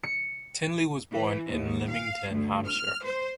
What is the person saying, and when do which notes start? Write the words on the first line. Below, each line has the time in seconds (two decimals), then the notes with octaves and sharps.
Tinley was born in Lymington, Hampshire.
0.03 C#7
1.12 E3
1.47 D#2
1.90 F5
2.33 D2
2.65 F6
3.04 C5